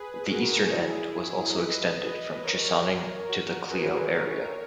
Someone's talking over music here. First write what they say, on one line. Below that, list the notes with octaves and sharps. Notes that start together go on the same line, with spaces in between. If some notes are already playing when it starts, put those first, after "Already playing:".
The eastern end was also extended from Chesaning to the Clio area.
Already playing: G#4 B4
F#4 A#4
E4 G#4
E4
B4 D#5
B4 D#5
A#4 C#5
F#4 A#4
G#4 B4
A#4 C#5